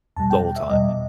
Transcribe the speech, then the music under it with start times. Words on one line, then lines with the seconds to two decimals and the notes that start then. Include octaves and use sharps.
the whole time.
0.16 E2 B2 G3 A5
0.30 G5
0.56 E5
0.69 E2 B2 G3 D#5